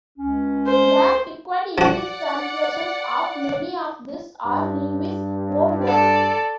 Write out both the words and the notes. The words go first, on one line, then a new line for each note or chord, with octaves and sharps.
The piquant English translations of many of these are Lewis's own work.
C#2 C#4
C5
F3 F#4 D5 F#5
G2
A4 D5